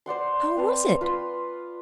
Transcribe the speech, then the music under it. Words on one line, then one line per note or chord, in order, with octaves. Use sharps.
How was it?
C5 D5 F#5 C6
C4 B4 F5 A5
F4 B4 B5 C6